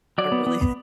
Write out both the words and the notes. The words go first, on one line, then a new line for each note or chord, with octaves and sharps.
a really
F#3 D5
B3
B3
B3